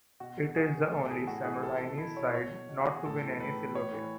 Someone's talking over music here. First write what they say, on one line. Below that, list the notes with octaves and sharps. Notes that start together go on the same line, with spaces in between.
It is the only Sammarinese side not to win any silverware.
B2 F#4
B2
B2 G#4
B2
A2 A4
E3 G#4
A2 F#4
E3 G#4
B2 A4
B2
B2 E4
B2 C#5
B2 C#5
B2
B2
F#4
B2 G#4
A2 A4
E3
A2 B4
E3
A2 C#5
E3